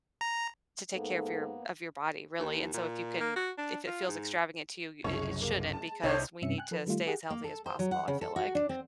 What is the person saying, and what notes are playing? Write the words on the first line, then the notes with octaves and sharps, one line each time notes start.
to take care of your of your body, really, and so if you can if it feels extravagant to you, it it shouldn't because we need to stay as healthy as possible, I feel like.
A#5
G#2 A#3 B3 A4
D#2
A#2
A#3
F#4
D4
F4
G#2
F#1 C2 F#2 G#3 C#5
A#3
A5
C2 G2 D4 D#4 C5 C#5 E5
G2 C3 C#4 E5 C#7
G5 G#5 F#6
F3 A4 B4
D#3 G3 A3 F4
G4 G#4 F#5 G5
A#3
A4
C5
F#3
F#5
C#3
A4
F#4
D4
C4